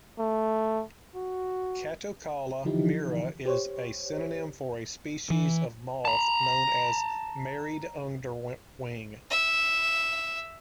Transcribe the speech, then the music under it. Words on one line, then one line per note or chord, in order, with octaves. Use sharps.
"Catocala myrrha" is a synonym for a species of moth known as married underwing.
A3
F#4
D3 E3 F3 D#4 E4 G4
G4 C5 C#5
E3
A5 A#5
E5